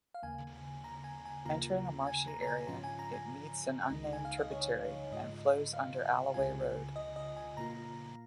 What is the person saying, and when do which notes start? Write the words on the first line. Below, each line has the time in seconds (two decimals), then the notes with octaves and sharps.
Entering a marshy area, it meets an unnamed tributary and flows under Alloway Road.
0.14 F5
0.23 D#2 C#3 A#3 G#5
0.84 A#5
1.04 G#5
1.26 G#5
1.45 D#2 C#3 A#3 F4 A#5
2.07 G#5
2.28 A#5
2.42 A#5
2.47 G#5
2.67 G#2 F3 C#4 F4 A#5
2.84 G#5
2.99 A#5
3.13 G#5
3.90 C#2 C#3 G#3 D#4
4.13 G#5
4.25 F5
4.38 D#5
4.51 C#5
5.12 G#2 G#3 F4 D#5
5.73 F5
6.34 C#2 C#3 G#3 C#4 F4 G#5
6.96 D#5
7.16 D#5
7.37 G#5
7.57 A#2 A#3 F4 A#5